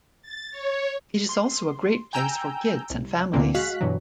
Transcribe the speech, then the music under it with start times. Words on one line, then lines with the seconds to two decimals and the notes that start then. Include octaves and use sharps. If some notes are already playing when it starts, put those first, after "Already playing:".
It is also a great place for kids and families.
0.22 A6
0.51 C#5
1.29 C6
2.13 G5 G#5 A#5 E6 G6
2.90 C2
3.33 D2 A#2 D3 E3 A#3 C4
3.54 G#3 F#4 F5 F#6 B6
3.81 G2 B2 E3 F#3